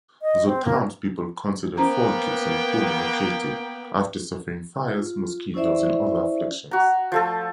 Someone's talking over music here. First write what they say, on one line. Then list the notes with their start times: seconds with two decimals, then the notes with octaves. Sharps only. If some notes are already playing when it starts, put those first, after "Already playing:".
The townspeople considered Fort Gibson poorly located after suffering fires, mosquitoes, and other afflictions.
0.22 D#5
0.47 C4
0.64 A#3
1.78 A#3 B3 C#4 C5 G5 A#5
4.96 F4
5.54 C#4 E4 C5 D5 E5
6.71 F#4 A#5
7.12 F3 A3 A4